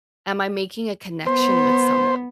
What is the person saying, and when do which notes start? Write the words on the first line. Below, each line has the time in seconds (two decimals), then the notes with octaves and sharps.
"Am I making a connection with someone?"
1.26 B3 C5